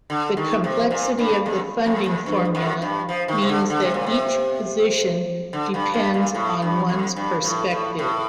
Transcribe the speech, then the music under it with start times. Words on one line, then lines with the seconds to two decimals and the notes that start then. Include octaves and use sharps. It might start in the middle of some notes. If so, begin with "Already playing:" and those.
The complexity of the funding formula means that each position depends on one's perspective.
0.10 D3
0.37 D#3
0.64 C3
0.91 A#2
1.19 G2
1.46 F2
1.86 F2
2.06 F2
2.26 G2
2.55 F2
2.82 G2
3.09 F3
3.28 D#3
3.42 C3
3.49 D3
3.70 D3
3.82 C3
3.94 A#2
4.06 C3
5.53 D3
5.74 G2
5.94 G2
6.14 A#2
6.34 A2
6.62 G2
6.89 F2
7.16 G2
7.44 A2
7.71 A2
7.99 A2